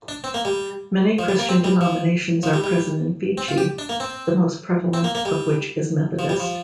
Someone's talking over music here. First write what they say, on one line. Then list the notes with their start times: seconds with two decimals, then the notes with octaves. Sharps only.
Many Christian denominations are present in Fiji, the most prevalent of which is Methodist.
0.08 D4
0.24 C4
0.34 A#3
0.45 G3
1.19 F3
1.28 G3
1.39 A#3
1.49 C4
1.64 G3
1.81 F3
2.43 F3
2.54 G3
2.64 G3
3.38 C4
3.48 F4
3.58 G4
3.79 D4
3.89 A#3
4.00 C4
4.94 C4
5.04 A#3
5.15 A#3
5.25 G3
6.19 F3
6.29 G3
6.40 F3